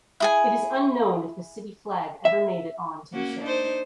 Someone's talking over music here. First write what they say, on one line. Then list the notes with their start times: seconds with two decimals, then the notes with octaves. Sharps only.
It is unknown if the city flag ever made it on to the ship.
0.20 E4 G#4 G#5
2.25 E5
3.13 A#3 C#4 F#4
3.42 D4 D#4 C5